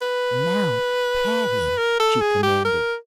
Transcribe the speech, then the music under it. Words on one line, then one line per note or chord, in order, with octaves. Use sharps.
"Now pat him!" she commanded.
B4
A#4
A4
G#4
G4
A#4